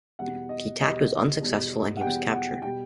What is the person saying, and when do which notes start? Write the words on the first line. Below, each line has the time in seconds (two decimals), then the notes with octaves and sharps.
The attack was unsuccessful and he was captured.
0.19 E2 B2 G3 F#5
0.49 D#5
0.81 E2 B2 G3 D#5
1.41 E2 B2 G3
1.97 F#5
2.01 E2 B2 G3 G5
2.32 F#5
2.62 B2 G3 G5